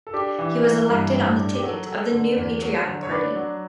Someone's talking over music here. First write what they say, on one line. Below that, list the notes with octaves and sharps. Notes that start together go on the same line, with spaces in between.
He was elected on the ticket of the New Patriotic Party.
A4
D4 G4
E3
E3
G2
A2
D4
G4
F#3 A4
F#3 A4
D3
E2
F#3
D3
C#5
D4 B4
F#3